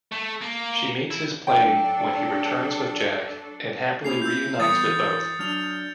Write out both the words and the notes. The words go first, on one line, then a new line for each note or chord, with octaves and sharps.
She meets his plane when he returns with Jack and happily reunites with both.
A3
A#3
E4
F#3 D4 A4 G5
A#3 C#4 E4 C7 F7
E6 G6
E3 G3 B3 D#6 A6 C#7
E3
F#3 D4 F6 F7